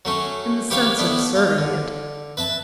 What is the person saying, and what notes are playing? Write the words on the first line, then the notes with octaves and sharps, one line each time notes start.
"In the sense of serving it."
F#3 A3 C#4
E4 G4 B4 C#5 F5
A3 B3 D4 E4
F4
D3
B4 E5 A5